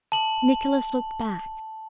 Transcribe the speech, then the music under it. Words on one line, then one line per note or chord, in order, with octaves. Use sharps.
Nicholas looked back.
A5 F#7